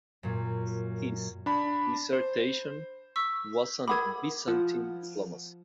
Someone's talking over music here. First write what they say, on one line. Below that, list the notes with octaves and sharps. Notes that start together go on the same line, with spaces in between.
His dissertation was on Byzantine diplomacy.
F#2 A#2
D4 B5
C5
C#6 E6 B6
A#4 F#5 B5 D6 D#6 G#6
F3 F#5